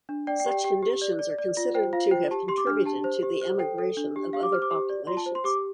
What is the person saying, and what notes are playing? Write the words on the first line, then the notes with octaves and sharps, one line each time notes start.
Such conditions are considered to have contributed to the emigration of other populations.
D4
D5 G5
G5
G4
G5
G4 G5
G4
D5
D5
D5
F4
C5 G5
F4 F5
C5 G5
G4 A5
G4 C6
D6
D4 F6
G4 A5
C5
G4
C5
A4 G5
A4
D4
G4
G4 F5
D6
C5 F6
D6
G4
D5
F4 C6
A5
C5
C6
G4 D6